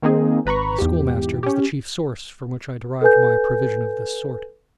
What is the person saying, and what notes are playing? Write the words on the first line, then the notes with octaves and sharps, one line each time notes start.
The schoolmaster was the chief source from which I derived my provision of this sort.
D#3 A#3 C4 D#4 G#4
G#1 B4 A#5 B5 C#6
E2 G#2 G4
C#4 G4
A4 B4 G#5 G6